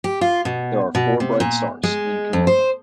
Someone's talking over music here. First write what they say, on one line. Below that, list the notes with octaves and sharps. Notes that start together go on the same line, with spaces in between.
There are four bright stars in Chamaeleon.
G4
F4
B2
B2
C3
A#2
G#3
F2
C5